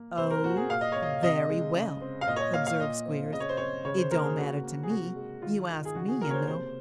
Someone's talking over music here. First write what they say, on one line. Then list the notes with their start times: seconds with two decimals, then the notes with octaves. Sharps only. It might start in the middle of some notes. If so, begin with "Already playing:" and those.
'Oh! very well!' observed Squeers, 'it don't matter to me; you asked me, you know.
Already playing: A#3
0.18 C3 C5
0.31 A#4
0.44 A#3 F#4
0.57 G#4
0.70 A#2 F5
0.81 D#5
0.92 A#3 C#5
1.03 D#5
1.22 C3 D#5
1.49 G#3
1.75 C#3
2.01 C4
2.21 F5
2.27 A#2 D#5
2.36 C#5
2.41 D#5
2.54 A#3 F5
2.67 F5
2.80 A#2 D#5
3.06 C4
3.33 C#3 D#5
3.40 C#5
3.49 C5
3.57 C4 C#5
3.85 C#3 C#5
3.98 C5
4.11 A#3 A#4
4.24 G#4
4.37 C#3 F#4
4.63 A#3
4.83 G#4
4.90 C3 F#4
5.16 G#3
5.42 D#3 F4
5.69 D#3
5.85 G#4
5.95 C#3 F#4
6.08 G#4
6.21 A#3 A#4
6.30 C#5
6.34 C5
6.47 C3 C5